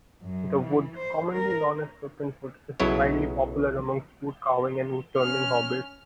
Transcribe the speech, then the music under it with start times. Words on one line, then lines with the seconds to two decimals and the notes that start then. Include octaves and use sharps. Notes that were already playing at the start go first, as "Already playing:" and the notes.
The wood, commonly known as serpentwood, is mildly popular amongst woodcarving and woodturning hobbyists.
0.20 F#2
0.64 E3
0.97 C5
1.31 A#4
2.80 B1 C#3 F#3 E4 C#5
5.18 C#4 F6